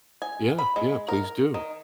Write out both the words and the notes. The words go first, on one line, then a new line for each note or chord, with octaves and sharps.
Yeah. Yeah. Please do.
G#5
B5
G#3
A#4
D#3